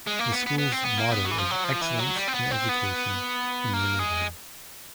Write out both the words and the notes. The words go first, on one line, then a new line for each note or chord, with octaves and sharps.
The school's motto is "Excellence in Education, in your Neighborhood".
G#3
A#3
B3
B3
B3
C4
B3
A#3
B3
F#3
E3
F3
F#3
F3
E3
F#3
G3
C4
B3
C4
B3
A#3
G#3